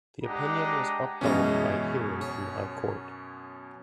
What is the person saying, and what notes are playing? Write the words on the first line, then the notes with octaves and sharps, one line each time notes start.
The opinion was upheld by a hearing in the High Court.
G#3 D4 G4 D#5 F#5 A#5
F#2 B2 E3 G#3 C#4 A#5
C#5